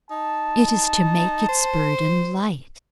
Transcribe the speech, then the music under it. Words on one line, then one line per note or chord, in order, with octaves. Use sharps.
It is to make its burden light.
D#4 A5
C5